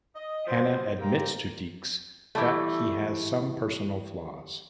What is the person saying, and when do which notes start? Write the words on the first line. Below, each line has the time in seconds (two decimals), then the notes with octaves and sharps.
Hanna admits to Deeks that he has some personal flaws.
0.16 D#5
0.47 G2 F3 C4 C5
0.98 G#2 A#3 C4 G4 G5 A#5
2.35 E3 G3 A3